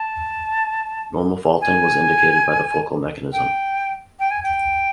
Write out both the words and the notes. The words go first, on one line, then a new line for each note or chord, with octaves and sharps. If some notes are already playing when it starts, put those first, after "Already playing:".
Normal faulting was indicated by the focal mechanism.
Already playing: A5
G#5
G5
G5
G#5
G5